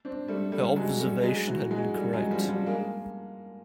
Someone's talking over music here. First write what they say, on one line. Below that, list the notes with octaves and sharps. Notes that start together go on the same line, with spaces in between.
Her observation had been correct.
C4 D4
G3 A3
G3 A3
F#3 G#3
G3 A3
F#3 G#3
E3 F#3
F#3 G#3
G3 A3
F#3 G#3
F3 G3
F3 G3
G#3 A#3